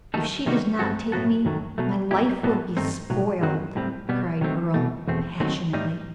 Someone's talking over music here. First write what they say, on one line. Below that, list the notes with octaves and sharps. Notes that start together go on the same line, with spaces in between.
"If she does not take me, my life will be spoiled!" cried Earle, passionately.
D#2 D#3 A3 D#4 A4
C3 D#3 G3 D#4 F#4
G2 F#3 C4 F#4 A4
A2 F#3 B3 F#4 A4
F#2 D#3 F#3 A3
B2 F#3 A3
A2 F#3 B3 E4 G4
A2 G3 B3 F#4 A4
G2 D#3 A3 C4 D#4
B1 A2 F#3
F#2 D#3 F#3 C4 F#4
A2 G3 C4
B2 G3 B3
D#3 F#3 A3 C4
C2 B2 A3
E2 B2 A3 C4
D#2 D#3 F#3 A3 C4
A2 G3 D#4